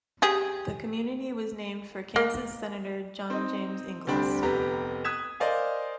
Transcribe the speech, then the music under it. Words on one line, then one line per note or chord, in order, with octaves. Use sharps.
The community was named for Kansas senator John James Ingalls.
G4 G#4
A#3
C4 D#4
D2 G3 C4 D4 G5 B5
F1 B3 G4 G5 A#5
D#6 F#6 G#6 B6 E7
A#4 C5 D5 D#5 F5 G#5